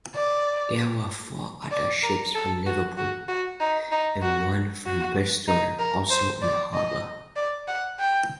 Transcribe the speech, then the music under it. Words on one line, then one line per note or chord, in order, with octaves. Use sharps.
There were four other ships from Liverpool and one from Bristol also in harbour.
D5
D5
A#4
A4
F#4
F#4
F#4
D#4
D#4
F#4
F#4
D#4
A#4
C5
D5
D#5
D5
F#5
G5